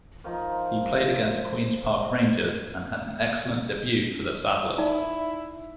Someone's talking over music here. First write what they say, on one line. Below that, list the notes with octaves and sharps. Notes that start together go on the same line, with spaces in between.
He played against Queens Park Rangers and had an excellent debut for the Saddlers.
D#3 F3 D#4
D#4 E4 D5